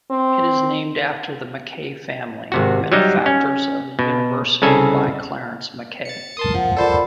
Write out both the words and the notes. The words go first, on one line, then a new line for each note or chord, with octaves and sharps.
It is named after the Mackay family, benefactors of the university by Clarence Mackay.
C4
G#1 C3 F#4
F#3 G3 D#4
C#4
B2
C2 C#3 A4 G#5
A6 C#7
A#4 A5 C6 D#6
F3 F#5
F4 A4 A#4 C5 D5 A5 B5